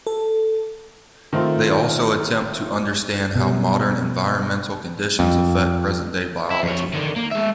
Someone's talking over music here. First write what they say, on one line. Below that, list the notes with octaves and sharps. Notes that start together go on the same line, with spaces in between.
They also attempt to understand how modern environmental conditions affect present-day biology.
A4
D#3 A3 C4 F4
B2 G3
F2
E4
F2 C#5
D3 D#3
A#3
G#3 E5